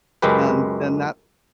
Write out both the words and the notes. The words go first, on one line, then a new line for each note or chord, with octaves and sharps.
and then that's
C#2 F#2 G#3 G4 B4